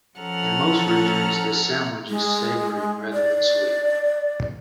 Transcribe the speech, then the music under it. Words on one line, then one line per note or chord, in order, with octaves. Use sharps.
In most regions, the sandwich is savory rather than sweet.
F3 C#4 A4 F#5 A#5 F6
G#3
D5